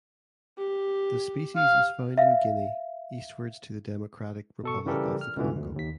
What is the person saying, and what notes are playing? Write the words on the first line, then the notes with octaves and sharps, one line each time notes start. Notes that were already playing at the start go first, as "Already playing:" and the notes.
The species is found in Guinea eastwards to the Democratic Republic of the Congo.
G4
F5
E5 F5
B2 A4 C#6
C#3 E3 G3 G4 A4 A#4
F6
C#2 B2 D3 E3
D2
D#2 B6